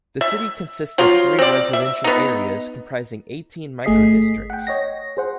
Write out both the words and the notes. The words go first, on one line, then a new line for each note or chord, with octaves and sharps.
The city consists of three residential areas comprising eighteen microdistricts.
E5
F3 F#3 F4
C4 D5
E5
B3 D#4
G1 A3 G#4 D#5 B6 C7
F#5 G5
C#5 D#5 A#6
G#4 C5 F#5